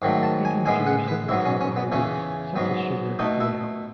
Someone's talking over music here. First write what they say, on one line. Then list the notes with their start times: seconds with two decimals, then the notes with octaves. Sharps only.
Eating fewer simple carbohydrates such as sugar may help.
0.02 G#2 D#3 F#3 A3
0.23 A5
0.45 G#5
0.66 A2 G#3 B3 G#5
0.87 F#5
1.08 B4
1.29 G#2 F#3 B3 E4
1.45 C#4
1.61 C#4
1.76 B3
1.92 E2 C#3 E3 C#4
2.56 G#2 F#3 B3
3.19 B2 A3 D#4
3.40 E4